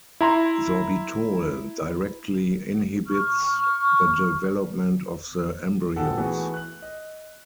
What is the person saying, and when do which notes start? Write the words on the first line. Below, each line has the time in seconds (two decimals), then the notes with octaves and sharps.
Sorbitol directly inhibits the development of the embryos.
0.21 E4 A#5 C6
3.07 C#6 F6
5.96 A#1 F#2 A#2 A4 F#5 G5
6.18 E3 A3 B3 F#4 G#4
6.54 F#6 F#7
6.82 D#5